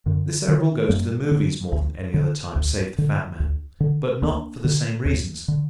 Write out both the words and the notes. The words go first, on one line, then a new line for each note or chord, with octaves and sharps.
The Cerebral goes to the movies more than any other type save the fat man, but not for the same reasons.
F#2 D3
D3 D#3
F#2 G3 A#3
D3
D2
D3
D2
D3
D2
D3
D2 A#3 D4
D3
D#2
D3